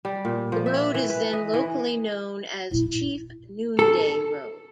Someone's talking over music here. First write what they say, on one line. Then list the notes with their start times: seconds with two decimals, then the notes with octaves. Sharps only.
The road is then locally known as Chief Noonday Road.
0.05 G3
0.25 A#2
0.52 F3
0.66 E5
0.95 E3
1.10 B4
1.33 D#5
1.54 E3
2.71 A#2 D4 E4
3.79 A4